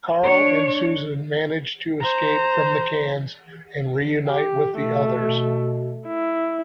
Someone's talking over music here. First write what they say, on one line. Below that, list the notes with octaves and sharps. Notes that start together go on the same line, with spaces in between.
Carl and Susan manage to escape from the cans and reunite with the others.
D4 C#5
C5 A#5
G4
B2 A3
E4